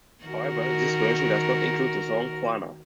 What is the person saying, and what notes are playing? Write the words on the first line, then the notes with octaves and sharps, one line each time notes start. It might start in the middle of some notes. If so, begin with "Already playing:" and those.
However, this version does not include the song "Juana".
D#3 F#4 A#4